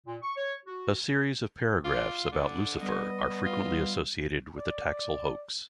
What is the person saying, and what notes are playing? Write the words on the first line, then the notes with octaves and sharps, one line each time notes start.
A series of paragraphs about Lucifer are frequently associated with the Taxil Hoax.
A#2
C#6
C#5
F#4
F4 D5
D3 D5
G3 B3 D#5
F4
D5